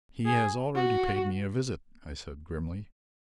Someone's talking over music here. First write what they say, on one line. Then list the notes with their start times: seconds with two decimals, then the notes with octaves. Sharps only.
"He has already paid me a visit," I said grimly.
0.25 G#4
0.75 F#4